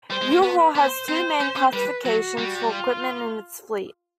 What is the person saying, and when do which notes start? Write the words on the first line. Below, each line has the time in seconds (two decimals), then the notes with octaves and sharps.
U-Haul has two main classifications for equipment in its fleet.
0.10 G3 C5
0.22 G#3
0.32 A#3
0.42 B3 B4
0.76 B3 C5
1.08 C4 C5
1.40 C#4
1.56 C#4
1.73 G3 B4
2.05 F#3 F#4
2.38 G3
2.70 F4